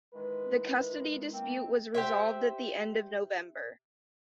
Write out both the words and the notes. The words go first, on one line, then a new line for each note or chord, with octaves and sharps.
The custody dispute was resolved at the end of November.
D#3 E3 G#3 B4
A#3 C4
G4 C5 E5